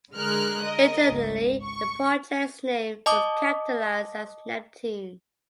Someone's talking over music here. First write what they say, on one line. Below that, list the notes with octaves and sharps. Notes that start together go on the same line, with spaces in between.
Internally, the project's name was capitalized as NepTune.
D3 G#3 A#4 F6 F#6
A#4 D#5
G#1 C#2
C#6
D#5 A5 D6 D#6